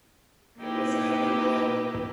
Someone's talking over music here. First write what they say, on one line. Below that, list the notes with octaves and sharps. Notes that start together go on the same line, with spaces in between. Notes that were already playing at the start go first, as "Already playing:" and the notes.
It was a heavy blow.
A#3 D#4 E4 G4 B4